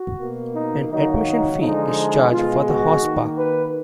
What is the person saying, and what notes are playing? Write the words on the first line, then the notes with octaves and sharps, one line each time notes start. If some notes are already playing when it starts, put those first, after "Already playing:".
An admission fee is charged for the Horse Park.
Already playing: F#4
B2 A#3
D#4
D#3 F#3 A#3 D#4
D#4
D3 F3 G#3 D#4
B2 G#3 F4
F#4
D#3 A#3
B4